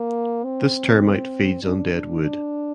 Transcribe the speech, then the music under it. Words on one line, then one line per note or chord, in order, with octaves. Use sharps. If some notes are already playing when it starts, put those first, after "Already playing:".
This termite feeds on dead wood.
Already playing: A#3
C4
D4
D4
D4